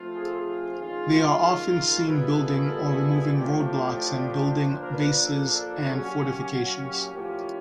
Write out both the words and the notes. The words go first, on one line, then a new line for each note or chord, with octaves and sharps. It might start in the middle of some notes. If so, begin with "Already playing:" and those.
They are often seen building or removing road blocks and building bases and fortifications.
Already playing: F3 A3 C4 F4
G#4
A4
G#4
D#3 G#3 C#4 F4
A#4
A#4
A#2 G3 B3 E4 G#4 B4
A4
A#4
A4
A2 F3 A3 D4 G4 D5
C#5
D5
C#5
D5
F3 A#3 D4 C5
A#4
B4
A4
A#4
A4
F#3 A#3 C#4 G#4
F#4
G4
G4
F#4
G4
A2 F3 A#3 C#4 G4